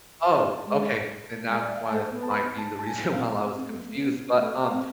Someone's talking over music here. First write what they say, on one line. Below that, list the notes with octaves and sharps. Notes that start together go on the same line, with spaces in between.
Oh, okay, then that wa might be the reason why I was confused, but, um,
A5
G#3
G#3 G#5
D5
E5
F5
G#5
A3 A5
B3
A5
B5
A5
A5
G#5
C4 F5
B3
C4
A3
B3
A3
B3
A3
C4 F5